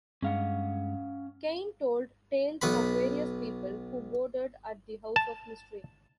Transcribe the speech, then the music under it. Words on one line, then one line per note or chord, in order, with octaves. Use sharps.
Cain told tales of various people who boarded at the House of Mystery.
G2 G#3 C#4 F5 F#5
B1 B3 B4 B5
A5